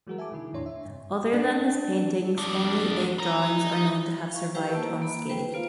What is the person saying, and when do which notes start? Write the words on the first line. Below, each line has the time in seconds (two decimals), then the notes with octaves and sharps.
Other than his paintings, only eight drawings are known to have survived unscathed.
0.07 E3 F#3 G#3 F#4 G#4 A#4
0.18 E5 G#5 A5 D6
0.31 B2 D3 D#3 E4
0.53 E2 A2 D4 C#5 C6
0.66 E5
0.85 G2 C3
1.33 D4
2.38 F2 D4
3.19 D#4 A#5
4.32 F5 C#6
4.55 G4 B4 C5 F5 G5
4.73 A#3 A5 E6
5.02 A#3 B5
5.29 B4 C5 G5
5.54 A#3 F4 F5